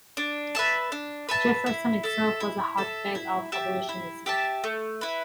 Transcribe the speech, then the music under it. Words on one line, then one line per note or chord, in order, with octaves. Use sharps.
Jefferson itself was a hotbed of abolitionism.
D4
B4 E5 A5
D4
B4 E5 A5
E4
A4 E5
E4
A4 E5
E4
G4 E5 A5
E4
G4 E5 A5
A3
E4 B4